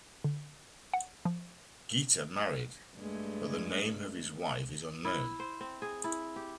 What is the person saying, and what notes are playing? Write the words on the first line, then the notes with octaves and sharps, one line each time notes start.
Geta married, but the name of his wife is unknown.
D3
F#5
F3
G2 G#3 A3
E4
C5
C4
G#4
E4
G4